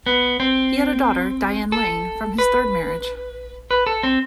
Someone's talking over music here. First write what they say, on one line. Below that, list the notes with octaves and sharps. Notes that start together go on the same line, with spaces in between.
He had a daughter, Diane Lane, from his third marriage.
B3
C4
A4
B4
B4
A4
C4